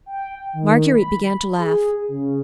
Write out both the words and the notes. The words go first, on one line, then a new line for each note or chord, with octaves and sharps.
Marguerite began to laugh.
G5
D#3
B5
G#4
C#3